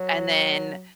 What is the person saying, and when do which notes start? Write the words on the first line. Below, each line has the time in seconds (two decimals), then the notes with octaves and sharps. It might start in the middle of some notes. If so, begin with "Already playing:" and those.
And then,
Already playing: F#3